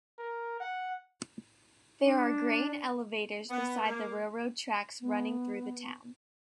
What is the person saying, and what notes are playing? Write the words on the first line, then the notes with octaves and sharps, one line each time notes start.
There are grain elevators beside the railroad tracks running through town.
A#4
F#5
D4
B3
A#3
B3